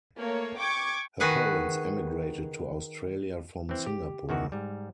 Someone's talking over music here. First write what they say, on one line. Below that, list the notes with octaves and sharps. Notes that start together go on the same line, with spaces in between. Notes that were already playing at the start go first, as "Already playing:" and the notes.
Her parents emigrated to Australia from Singapore.
A3 A#3 C#5
G5 C#6 D6 G#6
D#3 F#4 G#4 B4 F#5
E3 C4
G4
E2 D#3 E3 F#4
G#2 G3